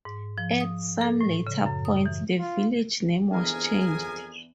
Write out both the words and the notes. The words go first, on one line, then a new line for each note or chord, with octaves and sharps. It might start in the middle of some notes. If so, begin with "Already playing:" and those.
At some later point the village name was changed.
G#2
F3
D#6
A4
A2
C#3
F#2
D#6
E3
F4
F2 E3 B3 D4 G#4 A#4 G#5